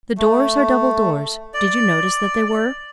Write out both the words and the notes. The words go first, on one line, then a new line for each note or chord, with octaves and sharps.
"The doors are double doors; did you notice that they were?"
A3
D5